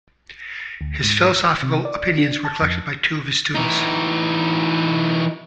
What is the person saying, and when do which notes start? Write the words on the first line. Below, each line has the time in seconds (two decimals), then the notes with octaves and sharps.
His philosophical opinions were collected by two of his students.
0.81 D2
1.04 G#2
1.36 E6
1.63 C3
1.85 D5
2.18 D4
2.45 A5
2.62 F2
3.55 E3 D#4